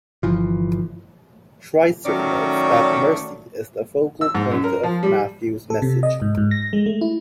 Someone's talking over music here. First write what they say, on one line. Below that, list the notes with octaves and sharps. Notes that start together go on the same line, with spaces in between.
Schweizer notes that mercy is the focal point of Matthew's message.
G1 E3 F3
D#3 F#3 A3 C#4 C#5 D5
E6
G#2
F#2
A#4
F3
G3
A4
C3
D#5
G#2
G#2
A#6
G#3
A3
E4